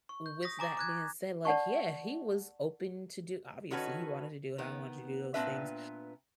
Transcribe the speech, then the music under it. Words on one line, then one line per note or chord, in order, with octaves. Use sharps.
with that being said, like, yeah, he was open to do obviously he wanted to do what I wanted to do those things,
C#6
G6
D#6 A#6 B6
G#5 A#5 D6 A6
D6 F#6 G#6
D5 F#5 A5 C#6
D#3 C#4 F#4 A4 B4 C#5
D#3 B3
A#2 B3 C4 D4 B4 E5